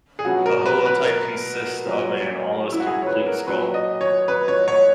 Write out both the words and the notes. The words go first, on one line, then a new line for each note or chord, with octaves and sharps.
The holotype consists of an almost complete skull.
G#4
B2 F#3 F#4
A#4
B4
B4
A#4
A#2 F#3
E4
F#4
G#4
C#5
B4
A#4
A#2 F#3 B4
D#5
C#5
B4
C#5
C#5